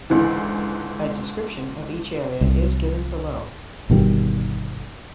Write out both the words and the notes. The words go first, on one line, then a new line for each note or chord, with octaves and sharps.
A description of each area is given below.
C#2 G#2 D3 E3
C2
G1 B2 D#3 G3